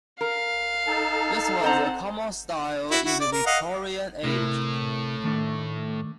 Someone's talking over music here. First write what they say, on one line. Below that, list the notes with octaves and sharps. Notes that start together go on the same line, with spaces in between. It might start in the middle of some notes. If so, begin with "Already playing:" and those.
This was a common style in the Victorian Age.
A#4 F5
D#4 A4 A5
C4 C5 F#5 A#5
E4 F#4
E4 F#4
D5
A#4
D#5 F5 F#5
A2 C3 E4 A#4
D#3 A3 D4